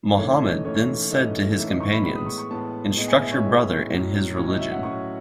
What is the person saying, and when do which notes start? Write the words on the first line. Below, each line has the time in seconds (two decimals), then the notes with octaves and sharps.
Muhammad then said to his companions, Instruct your brother in his religion.
0.17 G#2 E3 A3 C#4 C#5
0.31 C#5
0.40 D#5
0.64 G#2 E3 A3 C#4 C#5
1.11 G#2 E3 A3 C#4 D#5
1.57 G#2 E3 A3 C#4 E5
1.68 D#5
1.80 C#6
1.91 B5
2.03 A2 G#3 B3 B5
2.15 D#6
2.26 C#6
2.38 C#6
2.51 A2 G#3 B3 A5
2.96 A2 G#3 B3 D#5
3.08 G#5
3.20 E5
3.32 C#5
3.43 A2 G#3 B3 D#5
3.90 A2 F#3 C#4
4.36 A2 F#3 C#4 C#5
4.48 D#5
4.59 E5
4.70 F#5
4.83 A2 F#3 C#4 C#6